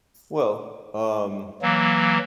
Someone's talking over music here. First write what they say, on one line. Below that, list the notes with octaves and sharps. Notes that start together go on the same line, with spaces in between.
Well, um,
E3 F#3 A#3